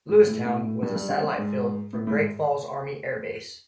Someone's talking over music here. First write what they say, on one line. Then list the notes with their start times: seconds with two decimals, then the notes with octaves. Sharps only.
Lewistown was a satellite field for Great Falls Army Air Base.
0.09 G#2
0.27 A2
0.46 A2
0.64 A2
0.83 G2
0.96 G2
1.10 G2
1.24 G2
1.38 G#2
1.93 A2
2.07 A2
2.12 G#2